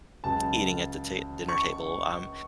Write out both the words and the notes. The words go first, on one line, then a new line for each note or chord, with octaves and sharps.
eating at the ta dinner table. Um,
C#2 C#3 F#3 A5
C#6